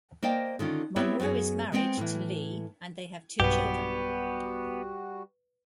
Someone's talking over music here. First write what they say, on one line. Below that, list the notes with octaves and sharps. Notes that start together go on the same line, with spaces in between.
Munro is married to Lea and they have two children.
A#3 C5 D5 D#5 F5 G5
D3 D#3 C#4 F4
B3 C4 E4 G4 B4 C#5
F#2 B3 F#4 G#4
G#3 B3 C4 D#5 G5
A2 E3
B1 G2 G3 B3 F#4 G4 B4 F#5